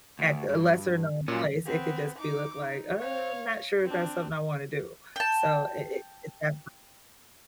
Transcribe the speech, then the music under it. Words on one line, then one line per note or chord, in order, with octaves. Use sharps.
at a lesser known place, it could just be look like, "Uh, I'm not sure if that's something I wanna do," so i it it's that.
D2
G2
A#2 F#3 C#4 F4
B3 C4
D#4 D6
D#4
C#5 F5
C4 D4
G5 A5